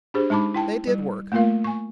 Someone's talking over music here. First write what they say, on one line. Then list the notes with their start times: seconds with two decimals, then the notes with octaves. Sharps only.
They did work.
0.14 D4 G4 G#4 C5
0.30 G#3 D#4 A5 B5 D6
0.54 E4 G5 A5
0.87 G3
1.32 A3 A#3 F4 A#4 F5
1.64 G#5 C#6